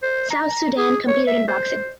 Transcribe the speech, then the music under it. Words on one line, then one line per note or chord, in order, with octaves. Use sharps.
South Sudan competed in boxing.
C5
A#5
G#4
C#5
E5
C5